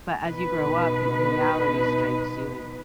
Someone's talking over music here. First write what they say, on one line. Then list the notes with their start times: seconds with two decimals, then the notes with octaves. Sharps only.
But as you grow up, y reality strikes you, and
0.23 B2 D#4 B4